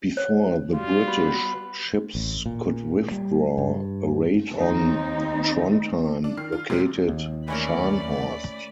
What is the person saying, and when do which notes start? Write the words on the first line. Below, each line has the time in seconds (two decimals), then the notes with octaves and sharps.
Before the British ships could withdraw, a raid on Trondheim located "Scharnhorst".
0.17 C#5
0.73 G3 F4 F#4
1.08 B3 B4
2.15 A1
2.46 A#2
3.11 G3
3.58 G2
4.58 D#2 C4 D#4
6.24 D4
6.37 D#3 F6 C7
6.52 F4
6.70 C3 F3 F#3 G#3
7.08 D#2
7.48 E3 A3 C#4 A#4 D5 B5